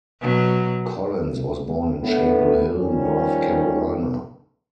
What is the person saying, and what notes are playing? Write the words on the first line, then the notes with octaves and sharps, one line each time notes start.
Collins was born in Chapel Hill, North Carolina.
B2 F#3
A2 D3 B3
D#3 F3 G3 C#4